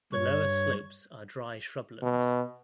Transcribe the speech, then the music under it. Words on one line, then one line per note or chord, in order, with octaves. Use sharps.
The lower slopes are dry shrublands.
G2 C#5 G#6
B2